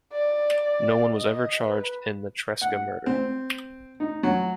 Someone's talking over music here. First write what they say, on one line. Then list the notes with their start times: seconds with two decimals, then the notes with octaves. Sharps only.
No one was ever charged in the Tresca murder.
0.12 D5
1.17 D#5
1.65 B4
2.62 F#5
3.06 C4
4.00 D#4
4.23 F#3